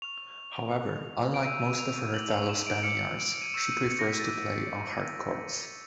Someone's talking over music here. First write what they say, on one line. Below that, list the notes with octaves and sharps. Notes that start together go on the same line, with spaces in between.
However, unlike most of her fellow Spaniards, she prefers to play on hard courts.
C#6 F6 F7
C#6 F#6
D7
C#6 E6 G6 D#7
D#7
F7
D#7
D6 F6 F#7
F7
E7
D7
D6 F6 C#7
D7
D#7
C#6 E6 G6 E7
D#7
C#7
A#6
B6
A6
D6 F6 A#6